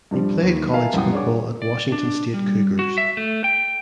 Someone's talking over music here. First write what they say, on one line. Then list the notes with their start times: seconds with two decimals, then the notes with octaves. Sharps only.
He played college football at Washington State Cougars.
0.11 G2 F3 G3
0.43 D#2 D#3
0.73 A#4 E5 F5 G#5 A5
0.93 C2 F#2 E3 F#5 G5 D#6
1.13 D4 G#4 C#5 F#5 D6
1.62 D5
1.92 D4
2.34 G3
2.79 F#4
2.98 E5
3.17 A3
3.44 G5